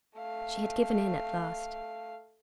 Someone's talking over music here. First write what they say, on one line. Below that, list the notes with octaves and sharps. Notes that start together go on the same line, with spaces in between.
She had given in at last.
A3 F5